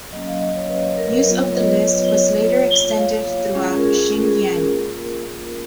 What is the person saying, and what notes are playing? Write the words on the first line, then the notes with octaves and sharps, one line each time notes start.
Use of the list was later extended throughout Xinjiang.
F#3 A#3 C#4 D#5
F5
D#5
C#5
B4
A#4
B4
A#4
F#3 B3 F4
C#5
D#5
B4
C#5
C#5
A#3 F4
F5
G#3 C#4 F4 G#4
A#4
G#4
G#4
G#4
A#4
A#4
A#3 F4